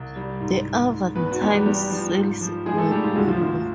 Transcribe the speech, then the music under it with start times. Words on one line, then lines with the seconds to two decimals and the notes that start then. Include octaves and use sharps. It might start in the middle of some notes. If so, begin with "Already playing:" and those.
The Avantime's sales were poor.
Already playing: C2
0.16 G3
0.41 G#2
0.66 G#2
0.91 G#2
1.16 E2 B3 B4
1.32 F#4
1.41 E2 G3 G4
1.66 E2 G3 G4
1.91 F3
2.16 G#2
2.41 F3
2.66 F3 G#3 G#4
2.78 A3 A4
2.91 G#2 G3 G4
3.04 F4
3.15 D2 F#4
3.28 F3 F4
3.41 D2